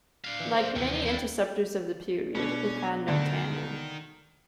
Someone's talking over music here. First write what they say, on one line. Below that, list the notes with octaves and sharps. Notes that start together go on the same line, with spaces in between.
Like many interceptors of the period, it had no cannon.
D4 F5
E3
C5
D#2 C3 E3 F3 G5
D4 E4
B2 C#4 D4
D2 D#3